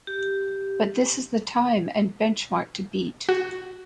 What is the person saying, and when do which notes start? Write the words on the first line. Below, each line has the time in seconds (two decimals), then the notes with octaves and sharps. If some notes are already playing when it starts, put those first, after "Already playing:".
But this is the time and the bench mark to beat.
0.07 G4
3.29 F#4